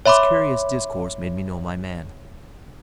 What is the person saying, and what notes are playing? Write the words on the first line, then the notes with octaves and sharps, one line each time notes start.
This curious discourse made me know my man.
C#5 E5 B5 C6 D6